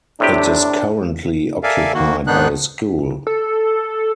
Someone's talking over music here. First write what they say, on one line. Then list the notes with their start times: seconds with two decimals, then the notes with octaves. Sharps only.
It is currently occupied by a school.
0.20 A2 C3 D4 G4
1.63 A4 A#4 D5 E5 F5 G#5
1.94 D#3 A#3 F#4
2.27 G#2 D#3 B3 D4 D#4 F#6
3.27 A4